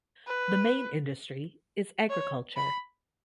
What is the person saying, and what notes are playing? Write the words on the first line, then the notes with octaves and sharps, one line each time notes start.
The main industry is agriculture.
B4
C#5
B5